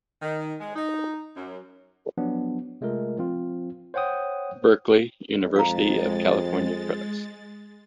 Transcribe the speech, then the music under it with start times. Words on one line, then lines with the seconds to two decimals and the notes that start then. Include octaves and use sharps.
Berkeley: University of California Press.
0.22 D#3
0.60 G#3
0.76 D#4
1.36 F#2
2.17 F3 F#3 B3 D4
2.81 C3 G#3 A3 F4 A#4
3.18 F3 C4 F4
3.94 C5 C#5 F#5 G5 D#6
5.56 F2 G#3 F5 A#5 A6